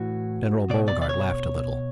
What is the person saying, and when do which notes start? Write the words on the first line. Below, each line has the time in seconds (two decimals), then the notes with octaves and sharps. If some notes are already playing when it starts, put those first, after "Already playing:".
General Beauregard laughed a little.
Already playing: A2 E3 F#4
0.70 B2 D5
0.88 D5
1.02 D5
1.09 C#5